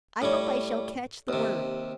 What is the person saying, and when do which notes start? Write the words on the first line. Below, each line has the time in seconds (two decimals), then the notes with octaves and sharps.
"I hope I shall catch the worm."
0.22 A2 G3 C#5
1.28 D#2 C3